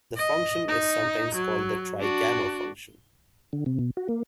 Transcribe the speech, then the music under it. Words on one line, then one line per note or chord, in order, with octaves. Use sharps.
The function is sometimes called the trigamma function.
D#5
D#4
F#3
D4 F#4
D3
C3
B2
F#4
A#3